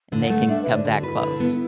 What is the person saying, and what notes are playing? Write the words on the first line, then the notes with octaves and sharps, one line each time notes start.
and they can come that close.
D3
F#5
A3
D4 E5
B4
D3
D5
D3 F#4
E4 B4
D3
B3